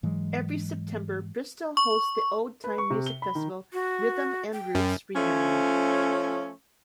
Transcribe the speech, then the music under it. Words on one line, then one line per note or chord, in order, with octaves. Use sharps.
Every September, Bristol hosts the old-time music festival, Rhythm and Roots Reunion.
G#2 E3 F#3 G#3
C#6
B4
C#6
C3
G7
B5
D#3
F#4
G5
F#2
F3 A3 C#4